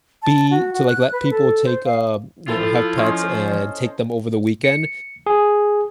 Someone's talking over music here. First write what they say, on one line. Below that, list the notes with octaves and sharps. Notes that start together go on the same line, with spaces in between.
be to, like, let people take, um you know, have pets, and take them over the weekend,
A5
F#4
F#4
F#6
B4
A4
C5
F5
F3 E4 F4 A4
C#4 C5 D#5
C#7
G#4